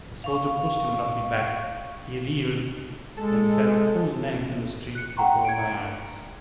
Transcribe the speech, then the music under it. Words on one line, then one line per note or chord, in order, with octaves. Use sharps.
A soldier pushed him roughly back; he reeled, then fell full-length in the street before my eyes.
F5 C#6
G#3 A4
F#6 C#7
F#5 G5 A#5 C6 C#6
G#6 C#7 D7